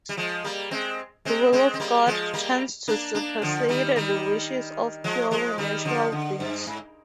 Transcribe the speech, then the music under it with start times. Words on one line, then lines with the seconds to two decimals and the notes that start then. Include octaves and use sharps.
The will of God tends to supersede the wishes of purely natural beings.
0.09 G3
0.17 F3 G#3
0.44 G3 A#3
0.71 G#3 C4
1.25 G#3 C4
1.53 G#3 C4
1.74 C4
1.80 G3 A#3
2.06 F3 G#3
2.34 G3 A#3
2.88 A#3 D4
3.15 A#3 D4
3.42 D3 F3
3.69 D#3 G3
3.96 D#3 G3
5.04 F3 G#3
5.31 F3 G#3
5.58 D#3 G3
5.85 D3 F3
6.12 D3
6.40 G2
6.67 G#2